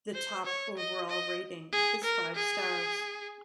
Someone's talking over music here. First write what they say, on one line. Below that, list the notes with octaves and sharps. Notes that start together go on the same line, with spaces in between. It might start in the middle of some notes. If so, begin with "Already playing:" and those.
The top overall rating is five stars.
C5
C#5
D#5
D#5
G#4
A#4
G#4